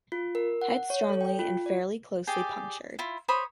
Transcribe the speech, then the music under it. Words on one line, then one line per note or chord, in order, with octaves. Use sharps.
Head strongly and fairly closely punctured.
F4
A#4
F#5
C#5
A4
G5
F4
D5
G4 G#4 D5
E4 F4
C5 C#5 B5 D#6